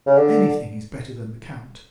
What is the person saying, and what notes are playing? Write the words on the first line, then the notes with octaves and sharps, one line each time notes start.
Anything is better than the count.
C#3
D3